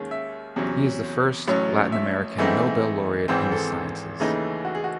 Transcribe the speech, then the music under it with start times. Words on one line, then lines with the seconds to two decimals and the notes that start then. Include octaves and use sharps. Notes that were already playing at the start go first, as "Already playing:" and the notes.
He is the first Latin American Nobel laureate in the sciences.
Already playing: D#2 D#3 G#3 C#4
0.11 E5
0.56 E2 C3 F#3 C#4
1.48 A1 A2 F#3 C#4
1.92 E5
2.38 G#2 E3 A3 C4 D#4
3.28 G#1 G#2 E3 C4
3.52 A4
4.20 D#2 C#3 E3 A3 D#4
4.65 F#4
4.75 G#4
4.84 F#4